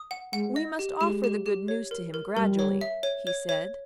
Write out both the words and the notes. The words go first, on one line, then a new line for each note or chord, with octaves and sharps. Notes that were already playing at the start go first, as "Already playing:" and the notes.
"We must offer the good news to him gradually," he said.
Already playing: D#6
F#5
G#3 F#5
D#5
G4
G#3 G4
G4
G4
C#5
A#4
A#4
G3 A#4
C#5
E5
C#5
C#5
C#5